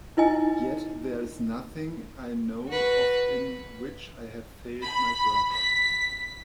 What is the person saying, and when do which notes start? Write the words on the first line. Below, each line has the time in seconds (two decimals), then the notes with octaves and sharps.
Yet there is nothing I know of in which I have failed my brother.
0.17 D#4 E4 D#5 G#5
2.68 F#4 B4
4.83 B5
5.52 B6